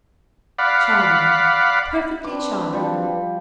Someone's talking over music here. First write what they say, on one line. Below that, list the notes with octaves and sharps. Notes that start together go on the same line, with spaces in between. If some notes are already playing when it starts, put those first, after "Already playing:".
Charming; perfectly charming.
D5 F5 F#5 B5
C4 D4 B4 D6
F3 G3